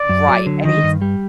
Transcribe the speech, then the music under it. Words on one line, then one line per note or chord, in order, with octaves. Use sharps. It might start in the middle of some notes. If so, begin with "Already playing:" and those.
Right, and he's
Already playing: D5
F#2
F#3
D3
D#3 D#5
G2
G3